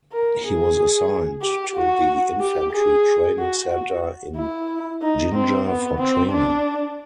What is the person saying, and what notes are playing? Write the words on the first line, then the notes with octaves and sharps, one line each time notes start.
He was assigned to the Infantry Training Centre in Jinja for training.
A#4
G#4
G4
F#4
G4
G#4
F#4
F#4
E4
D#4
C4
B3
C4
D4